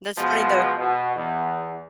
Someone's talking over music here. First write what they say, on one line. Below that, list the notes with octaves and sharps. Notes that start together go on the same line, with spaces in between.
That's funny, though.
B2 F3 G#3 B3
B2
E2